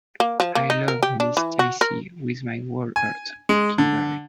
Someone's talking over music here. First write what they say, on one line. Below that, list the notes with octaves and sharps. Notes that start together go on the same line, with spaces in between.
I love Miss Stacy with my whole heart, Kimberly.
A#3
F3
A#3
D#4
A#4
G4
D4
E3
F#4
A#4
G#5
G#3
D3